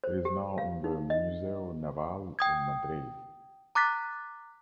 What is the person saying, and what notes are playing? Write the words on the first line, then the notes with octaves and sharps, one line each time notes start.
It is now in the Museo Naval in Madrid.
C5
G4
F5
D#4
D#5
G5 D#6 G#6
A#5 D6 F#6 A6 B6